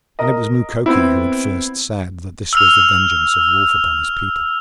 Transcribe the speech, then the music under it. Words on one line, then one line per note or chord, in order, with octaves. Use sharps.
And it was Mukoki who had first said that this was the vengeance of Wolf upon his people.
A#4 D#5
B3 C4 E4
E6 F6 F7